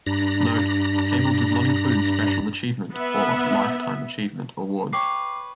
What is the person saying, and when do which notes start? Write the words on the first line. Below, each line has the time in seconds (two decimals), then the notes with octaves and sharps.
Note: Table does not include 'Special Achievement' or 'Lifetime Achievement' awards.
0.06 G2 D4 A#5 B5 A#6
2.93 B3 E5
4.93 B4 C#5 G5 D6 C7